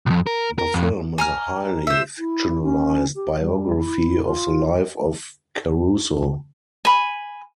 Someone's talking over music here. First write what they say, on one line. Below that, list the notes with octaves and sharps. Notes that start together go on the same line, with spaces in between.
The film is a highly fictionalized biography of the life of Caruso.
B1 F2
A#4
A#4
F2
G#5 A#5 F6
C5 E5
E4
C#4
G4
G3
E4
F4
G#5 B5